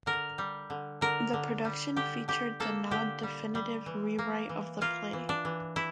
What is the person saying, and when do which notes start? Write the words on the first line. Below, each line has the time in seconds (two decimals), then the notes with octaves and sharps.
The production featured the now definitive rewrite of the play.
0.06 D3 A#4
0.38 G3
0.70 D3
1.01 D3 A#4
1.33 D3
1.65 G3
1.96 D3 G4
2.28 D3 G4
2.60 A#3 A4
2.91 D3 G4
3.23 G3
3.55 G3
3.86 E3
4.19 A#3
4.49 E3
4.81 A#3 F4
5.13 E3
5.29 D4
5.45 E3
5.76 E3 E4